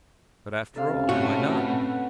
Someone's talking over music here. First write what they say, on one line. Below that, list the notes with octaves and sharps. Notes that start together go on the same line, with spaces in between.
But, after all, why not?
C3 C#4 A4 F5
A2 C4 F#4 F#6
B4 F#5